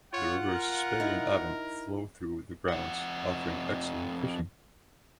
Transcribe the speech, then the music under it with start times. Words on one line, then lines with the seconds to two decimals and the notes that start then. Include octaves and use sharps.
The rivers Spey and Avon flow through the grounds, offering excellent fishing.
0.13 F4 C#5 F#5
0.48 A#4
1.00 D#4 E4
2.68 F2 F#5